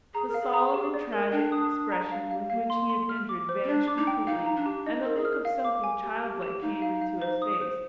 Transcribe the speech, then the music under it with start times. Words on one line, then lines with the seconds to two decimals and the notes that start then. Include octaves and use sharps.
The solemn and tragic expression with which he had entered vanished completely, and a look of something childlike came into his face.
0.14 G#4 A#5
0.28 A#4
0.34 F5
0.41 G#4
0.54 A#5
0.74 G4
0.94 D5
1.13 A#4
1.32 D4 G5
1.52 D#6
1.72 D#6
1.92 A#5
2.12 F5
2.31 F5
2.50 A#3 F5
2.70 C6
2.90 C6
3.09 F6
3.29 D6
3.49 C5
3.64 C4
3.68 D4 D5
3.88 D6
3.97 D#4
4.07 G5
4.27 D#4 F5
4.46 A#5
4.56 D4
4.66 G4
4.85 D#4 D#5
5.05 A#4
5.15 G#4
5.25 F6
5.45 F5
5.65 D6
5.84 G#5
6.04 G4
6.24 G4
6.42 G4
6.62 D#4 F5
6.82 F5
7.01 F5
7.22 C5
7.42 D#6
7.61 C5